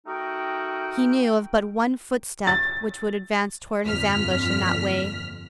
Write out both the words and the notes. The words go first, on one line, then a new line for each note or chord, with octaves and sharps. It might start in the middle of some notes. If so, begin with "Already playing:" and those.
He knew of but one footstep which would advance toward his ambush in that way.
A3 D#4 F#4 A#4 D#5 G5
A6
G1 F2 A#2 F6 B6